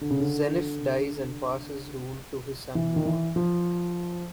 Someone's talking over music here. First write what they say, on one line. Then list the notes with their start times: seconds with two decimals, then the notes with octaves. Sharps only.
Zeniff dies and passes rule to his son Noah.
0.01 D3
0.10 C#3
0.20 D3
2.75 E3
2.96 D#3
3.06 E3
3.36 F3